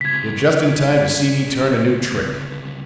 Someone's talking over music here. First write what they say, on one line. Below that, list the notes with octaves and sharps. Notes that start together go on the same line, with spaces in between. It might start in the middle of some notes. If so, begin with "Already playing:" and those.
You're just in time to see me turn a new trick.
C#2 C3 G#6 B6